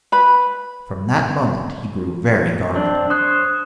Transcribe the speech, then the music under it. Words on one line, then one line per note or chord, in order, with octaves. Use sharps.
From that moment he grew very guarded.
B4 B5
C4 D4
C5 C#5 D#6 F#6